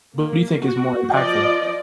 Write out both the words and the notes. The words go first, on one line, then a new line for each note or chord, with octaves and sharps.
What do you think is more impactful?
A#3
F#4
F3 D5 D#5